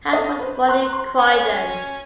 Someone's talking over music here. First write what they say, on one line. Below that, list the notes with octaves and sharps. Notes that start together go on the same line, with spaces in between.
Hudd was born in Croydon.
A4 C#5 D#5
B4 C5
A#5 C6 F#6
C6
C#4